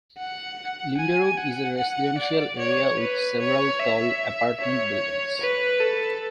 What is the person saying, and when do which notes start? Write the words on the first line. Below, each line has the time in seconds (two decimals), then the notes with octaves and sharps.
Linderud is a residential area, with several tall apartment buildings.
0.18 F#5
0.98 G#5
1.37 F#5
1.78 F#5
2.18 D5
2.58 C#5
2.99 B4
3.39 C#5
3.79 E5
4.61 C#5
5.41 B4
5.80 A4